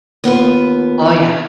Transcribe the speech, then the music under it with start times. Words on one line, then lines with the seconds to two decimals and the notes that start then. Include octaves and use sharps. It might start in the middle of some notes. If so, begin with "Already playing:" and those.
Oh, yeah.
0.24 D#2 B3 F4 B4